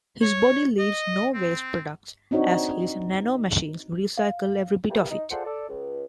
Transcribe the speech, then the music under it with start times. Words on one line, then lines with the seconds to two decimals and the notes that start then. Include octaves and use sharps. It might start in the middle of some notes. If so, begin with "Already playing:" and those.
His body leaves no waste products as his nanomachines recycle every bit of it.
0.22 C#5
0.79 D#5
1.34 C4
2.31 C4 D4 D#4 F#4 C#5
4.18 F5
4.90 E3 G3 A3 A#3
5.10 D#4
5.31 F4 G#4 A4 C5 D5 F#5
5.45 A4 D5
5.69 C#2